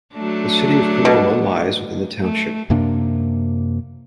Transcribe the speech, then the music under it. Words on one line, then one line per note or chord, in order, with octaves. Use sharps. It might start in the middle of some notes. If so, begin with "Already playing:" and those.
The city of Coloma lies within the township.
F#3 A3 D4
B2
A3
F#2 C3 A#3 D4